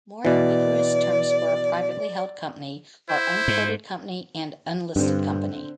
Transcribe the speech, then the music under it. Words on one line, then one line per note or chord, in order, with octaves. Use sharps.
More ambiguous terms for a privately held company are unquoted company and unlisted company.
B2 E3 D5
E4 C5
G#2
G2 D3 C4